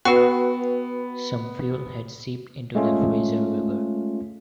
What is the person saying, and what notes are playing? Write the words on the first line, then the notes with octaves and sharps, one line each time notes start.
Some fuel had seeped into the Fraser River.
B3 F#4 B4 G5
G#3 A3 C#4 F4